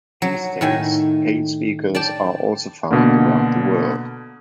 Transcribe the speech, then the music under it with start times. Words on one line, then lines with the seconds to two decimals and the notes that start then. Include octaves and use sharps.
These days Paite speakers are also found around the world.
0.22 F#3
0.61 A2 D#3 G#5
1.95 D5 G5 A5
2.91 B2 D3 A#3